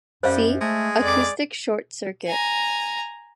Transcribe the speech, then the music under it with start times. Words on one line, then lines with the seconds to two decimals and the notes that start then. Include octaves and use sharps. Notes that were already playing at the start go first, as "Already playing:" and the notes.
See: acoustic short circuit.
0.23 F#2 G3 C5 F5
0.61 G#3 A3
1.02 F2 D5 D6
2.27 G#5 A#5